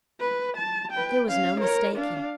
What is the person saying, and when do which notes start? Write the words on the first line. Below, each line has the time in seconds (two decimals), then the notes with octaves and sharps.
There was no mistaking.
0.20 B4
0.57 A5
0.92 B4 G5
1.28 C#4 F5
1.60 A#4 C#5
1.96 D4 F5